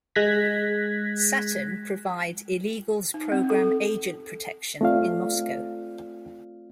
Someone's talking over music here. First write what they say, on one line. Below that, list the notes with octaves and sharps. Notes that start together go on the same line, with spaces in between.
Saturn provide illegals program agent protection in Moscow.
G#3 F#6 G#6 A#6 B6
D#4
C4
A4
A3 C4 F4 D5 F5